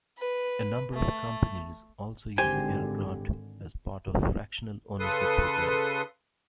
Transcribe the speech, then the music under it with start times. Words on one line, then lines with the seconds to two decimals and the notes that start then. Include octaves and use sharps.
A number of companies also use the aircraft as part of fractional ownership programs.
0.18 B4
0.93 A3
2.38 G#1 D3 G4 C5 G5 G#5
4.99 C#3 A4 B4 C6 D#6